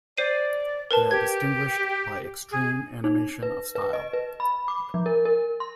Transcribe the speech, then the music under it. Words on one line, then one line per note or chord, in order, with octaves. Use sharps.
They are distinguished by extreme animation of style.
C5 D5 C7 D#7
A#4 B4 A5
G4 G#6
G#4
D#4
B4
B4
D#5
B4
B5
D6
F3
A#4
A#4
C6